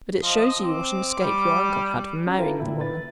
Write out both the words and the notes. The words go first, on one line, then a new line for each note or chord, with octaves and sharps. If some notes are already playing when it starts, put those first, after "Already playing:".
But it shows you what an escape your uncle had from marrying the woman.
F3 D#5
C4 D6
G3
C#4 F#4
E4 F4 A4 B4 G5 A#5
A#2 D3 E4
B4 A6